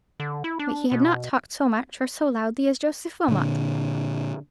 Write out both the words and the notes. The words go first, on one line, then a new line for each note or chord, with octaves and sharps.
But he had not talked so much or so loudly as Joseph Wilmot.
D3
E4
D4
B2
A#2 D3